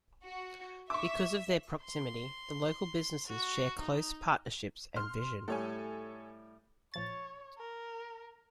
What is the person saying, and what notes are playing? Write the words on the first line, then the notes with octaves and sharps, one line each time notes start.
Because of their proximity, the local businesses share close partnerships and vision.
F#4
E5 C#6 D6
C6
F#4
D#4
C6 F6
A2 G3 A4 C#5 G#5
A#1 F3 C#5 A6
A#4